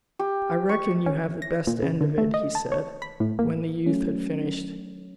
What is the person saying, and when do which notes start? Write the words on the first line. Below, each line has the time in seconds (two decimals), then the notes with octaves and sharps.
"I reckon you have the best end of it," he said, when the youth had finished.
0.19 G4
0.69 C#6
1.06 C#4
1.42 A#6
1.67 A#2
1.82 C#3
2.01 D3
2.18 A3
2.34 D#5
2.55 A5
2.72 C#5
3.02 B5
3.20 A2
3.39 A#3
3.86 F#3 A3 C#4